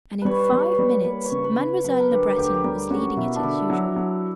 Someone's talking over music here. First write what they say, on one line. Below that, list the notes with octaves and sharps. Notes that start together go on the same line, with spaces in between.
And in five minutes Mademoiselle Le Breton was leading it as usual.
G3 B4 C#5
G3
C#5
B4
G3
A#3 B4
C#5
C#3
B4
C#3
F#3 B4
A#4
D3 G4
D2 G4
G4
G3 A#4
C#4 F#4
B2 E4
D4
D3 E4
F#3
F#3